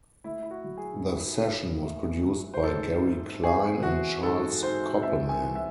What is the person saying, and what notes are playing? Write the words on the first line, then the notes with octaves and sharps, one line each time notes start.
The session was produced by Gary Klein and Charles Koppelman.
A3 E4
E4
F#4
F#3
G#4
G#2
G#2
A3
F#3
C5
G#2 A4
G#2
C4 G#4
E3 F#4
G#2 A4
G#2 C5
C4 E5
G#5
E3
E5